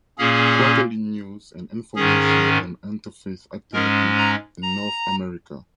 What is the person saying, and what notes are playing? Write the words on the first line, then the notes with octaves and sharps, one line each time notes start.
Quarterly news and information on interfaith activity in North America.
A#2 A#3 C#4 G#4
G#2 D#3 C#4 G#4
G#2 G#3 C#4 A#4
A#5
A#5